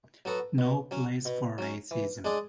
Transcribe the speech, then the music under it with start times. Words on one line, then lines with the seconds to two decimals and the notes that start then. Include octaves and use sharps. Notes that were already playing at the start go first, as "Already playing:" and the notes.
No place for racism.
0.25 F#3 B3 F#4 A4
0.58 B2
0.91 F#3 C#4
1.25 B2
1.58 F#3 C#4
1.91 E3
2.24 G#3 D4 G#4 D5